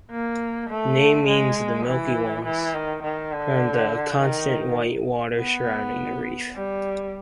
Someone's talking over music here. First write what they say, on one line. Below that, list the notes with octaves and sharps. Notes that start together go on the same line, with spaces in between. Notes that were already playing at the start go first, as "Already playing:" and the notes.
The name means "the milky ones", from the constant white water surrounding the reef.
A#3
A3
G#3
E3
E3
D#3
D#3
D3
D#3
B3
G3